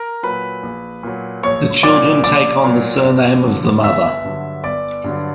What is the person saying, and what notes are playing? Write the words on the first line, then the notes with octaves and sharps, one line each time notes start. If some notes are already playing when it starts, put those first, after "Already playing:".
The children take on the surname of the mother.
Already playing: A#4 A#5
A#2 F#3 B4 B5
A#1
A#2 F#3
A#1 C#5 C#6
A#2 F#3 D5 D6
A#1 D5 D6
A#2 F#3
G1
G2 D3 F#3
G1 E5 E6
G2 D3 F#3
G1 D5 D6
G2 D3 F#3